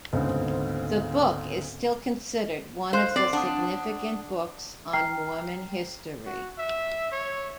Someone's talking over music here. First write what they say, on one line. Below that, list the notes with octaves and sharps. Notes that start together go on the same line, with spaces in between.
The book is still considered one of the significant books on Mormon history.
D2 G#2 C#3 B3 C4
C5 F5 F#6
C4 D5 C7
D4 F#5 A5 D#6
G5 A#5 F6 C7
F#4
E5
C#5